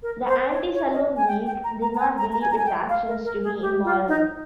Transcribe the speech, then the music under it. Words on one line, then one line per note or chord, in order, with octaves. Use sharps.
The Anti-Saloon League did not believe its actions to be immoral.
A#4
C5
C#5
C#5
D#5
G#5
G5
G5
A#5
A#5
A#5
G#5
A#5
A#5
G#5
A#5
G#5
G5
F5
A#4
A#4
G#4
G4
F4
D#4